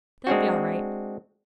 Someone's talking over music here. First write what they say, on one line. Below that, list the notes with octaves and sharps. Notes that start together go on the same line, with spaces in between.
'They'll be all right.
G#3 C4 D4 F#4